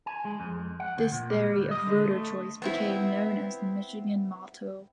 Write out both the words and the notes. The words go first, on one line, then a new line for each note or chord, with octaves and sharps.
This theory of voter choice became known as the Michigan Model.
G#5
G#3
F2
F#5
D2
A#2
G3
D2
D#5
D3
A3
B3 C4 E4